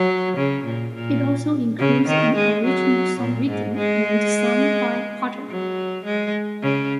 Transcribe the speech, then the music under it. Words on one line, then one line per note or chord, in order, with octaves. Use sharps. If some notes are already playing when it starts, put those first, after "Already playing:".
It also includes an original song written and sung by Potter.
Already playing: F#3
C#3
A#2
A#2
C#3
D#3
G#3
F#3
A#2
G#2
G#3
F#3
G#3
C#3